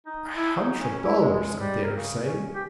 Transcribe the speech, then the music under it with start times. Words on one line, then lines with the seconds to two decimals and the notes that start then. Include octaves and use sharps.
'A hundred dollars, I dare say.
0.06 D#4
0.35 E4
0.58 D#4
0.80 C#4
1.03 E4
1.21 G#3
1.33 G#3
1.59 G3
1.83 A#4
1.97 C#3
2.24 C#4
2.54 G4